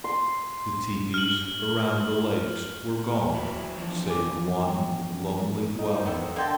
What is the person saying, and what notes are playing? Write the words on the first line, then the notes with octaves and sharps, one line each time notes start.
The teepees around the lakes were gone, save one lonely dwelling.
C6
F6 F#7
F#3 E4
E2 F3 D4
G#5 D6
G5
D#4
C5
B3 C4 A4
D3 A#3 G5 A5 C6